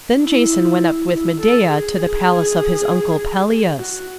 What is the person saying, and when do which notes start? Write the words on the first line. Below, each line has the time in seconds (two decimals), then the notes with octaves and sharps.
Then Jason went up with Medeia to the palace of his uncle Pelias.
0.22 E4
1.11 E4
1.41 A4
1.70 G#4
3.78 F#4